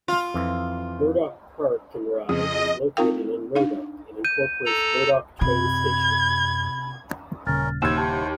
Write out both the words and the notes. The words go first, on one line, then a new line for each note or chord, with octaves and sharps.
Murdoch Park 'n' Ride is located in Murdoch, and incorporates Murdoch Train Station.
F4
F2 E3
F2 C#3 D#5 D#6
C4 D#4 F4 A#4 F5 G5
D4 D#4 F5
G6 D#7
A4 A#5
F#2 C3 B5 G#6
D#1 C#3 C#4 A#4 F6 A6
D#2 E4 C5 F#5 E6 G#6 E7
D#4 G4 A5